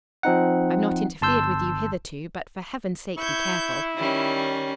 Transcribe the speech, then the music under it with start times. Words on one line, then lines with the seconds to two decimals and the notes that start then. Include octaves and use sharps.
I've not interfered with you hitherto, but for heaven's sake be careful.
0.23 F3 C4 D#4 F#5
1.22 G1 A5 C6 E6 G6
3.18 E4 C#6 G6 G#6
3.97 D#3 G3 C#4